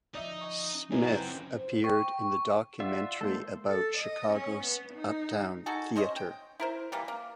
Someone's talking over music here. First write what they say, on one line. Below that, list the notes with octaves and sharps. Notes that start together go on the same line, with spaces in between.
Smith appeared in the documentary about Chicago's Uptown Theatre.
D3 F3 D#4 D5 E5 D#6
D#5 G#5 C#6
F#1 F#2 C#3 D#4 E4 C#5 G#5
C4 B4 A#5 G6
C5
G5 C#6
F4 D5 E5 F#5
G#3 A#3 A4 C5
A4
D#5
C#4
B3
D#4
D#4 F#4 G#4 A4
C#4 C5 C#5 D#5
G5
E4 A#4 C5
E3 G3 A#3
A#3